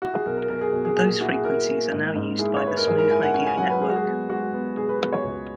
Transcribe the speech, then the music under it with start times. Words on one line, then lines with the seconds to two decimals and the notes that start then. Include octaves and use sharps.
Those frequencies are now used by the Smooth Radio network.
0.02 E4 F#4
0.14 G#4
0.26 B1 A#4
0.37 A#4
0.49 B1 A#4
0.61 G#4
0.73 B1
0.85 G#4
0.96 A#2 G#4
1.08 G#4
1.21 E4 F#4
1.33 G#4
1.44 E4 A#4
1.68 A#3
1.92 G#2
2.15 G#2
2.39 E4 G#4
2.56 C#5
2.63 E4 B4
2.77 A#4
2.87 G#2 G#4
2.98 A#4
3.11 E4 G#5
3.23 F#5
3.34 C#4 G#5
3.47 G#5
3.58 F#3 F#5
3.70 B4
3.82 G#3 G#4
3.89 F#4
3.96 G#4
4.06 B3
4.30 G#3 F#4
4.53 B3
4.77 B2 G#4
4.89 B4
5.01 B3 B4
5.13 C#5
5.24 C#2